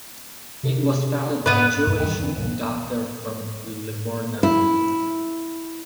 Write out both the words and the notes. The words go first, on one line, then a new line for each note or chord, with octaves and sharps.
It was founded by Jewish doctors from Livorno.
C3
G#2 B3 B4
G2 A#2
E2 D#3 F#3 G3
D3 E3 C4 D4
B1 G#2 F3
E4